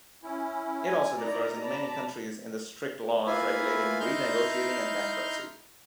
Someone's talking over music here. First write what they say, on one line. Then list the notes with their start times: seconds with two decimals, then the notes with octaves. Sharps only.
It also differs in many countries in the strict laws regulating renegotiating and bankruptcy.
0.23 C#4 E4
0.86 G#5
1.18 D#4 E4 D5 A#5
1.61 D5 A5 B5
3.27 A#3 E4 F4 B4 E5 G#5
4.00 D#4 E4 A#5 C6 F6 G6